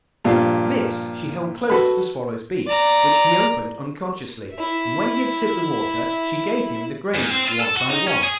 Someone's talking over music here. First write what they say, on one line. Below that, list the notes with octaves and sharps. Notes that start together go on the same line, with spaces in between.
This she held close to the swallow's beak, which he opened unconsciously, and when he had sipped the water she gave him the grains one by one.
G2 A#2 F3 F4 F5
F#4 A4 B4 B5
D5 A#5
E4 E5
E2
C4
F4
A4
F#4
D#4
C#4
G#4